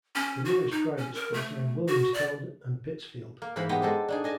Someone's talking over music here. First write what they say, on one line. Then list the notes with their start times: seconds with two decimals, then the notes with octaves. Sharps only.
The nearest private schools are in Williamstown and Pittsfield.
0.16 C#4
0.45 F#4
0.71 D#4
0.97 C#4
1.15 A#4
1.34 A3
1.88 F#4
2.14 D5
3.42 A#3
3.56 G#2 E3 A#3 C5 B5
3.69 G#3 B3 D#4 G4
3.82 G#3 A4 C5
4.09 D4 D#4 G#4
4.24 G#4 D#5 G#5 A5